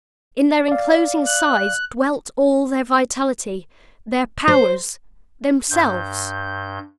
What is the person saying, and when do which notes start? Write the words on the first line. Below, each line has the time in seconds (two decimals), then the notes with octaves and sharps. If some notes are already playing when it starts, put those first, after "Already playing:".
In their enclosing sides dwelt all their vitality--their powers--themselves!
0.68 D5 F5
1.26 F#6
4.48 C5
5.70 G2 G6